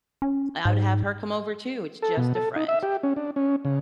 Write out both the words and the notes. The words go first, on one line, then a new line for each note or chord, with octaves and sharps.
I'd have her come over, too, it's just a friend."
C#4
G#2
A4
B2
A4
D#4
E5
G4
C#4
D4
C#4
C#3